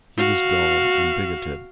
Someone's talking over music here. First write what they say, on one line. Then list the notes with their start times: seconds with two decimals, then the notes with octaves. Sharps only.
He was dull and bigoted.
0.17 F#4 F5